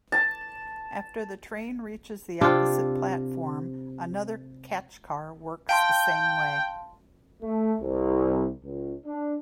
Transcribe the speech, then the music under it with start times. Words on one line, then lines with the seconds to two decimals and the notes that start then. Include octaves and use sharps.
After the train reaches the opposite platform, another catch car works the same way.
0.12 A5
2.41 C3 D4 F4 G5
5.69 F5 G5 A5 C6
7.42 A3
7.81 C2
8.64 C#2
9.05 D4